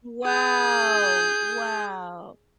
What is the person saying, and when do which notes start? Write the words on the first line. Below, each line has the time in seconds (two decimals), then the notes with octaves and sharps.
Wow. Wow.
0.24 G#4 G6